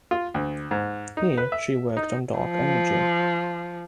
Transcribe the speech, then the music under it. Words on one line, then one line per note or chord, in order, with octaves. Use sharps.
Here she worked on dark energy.
F4
D2
G#2
D#4
B4
E5
D#4
F3